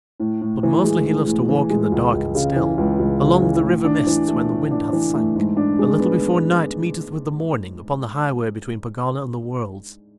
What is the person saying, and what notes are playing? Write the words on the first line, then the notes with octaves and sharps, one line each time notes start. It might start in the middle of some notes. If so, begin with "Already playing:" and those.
But mostly he loves to walk in the dark and still, along the river mists when the wind hath sank, a little before night meeteth with the morning upon the highway between Pegana and the Worlds.
A2
A2
E3
G#3
A2
A2
E3
G#3
C#2
C#2
C#3
E3
C#2
C#2
C#3
E3
A2
D4
E3
A3
A2
D4
E3
A3
G#2
D4
G#3
B3